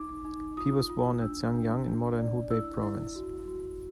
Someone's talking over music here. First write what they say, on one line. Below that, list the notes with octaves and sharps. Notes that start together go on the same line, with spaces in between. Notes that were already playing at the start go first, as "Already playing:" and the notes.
Pi was born at Xiangyang, in modern Hubei Province.
Already playing: D#4 D6
D#4
F4 D#6
F4
D4 E6
D4
D4
D5
E4 E6
E4
F#4
F#4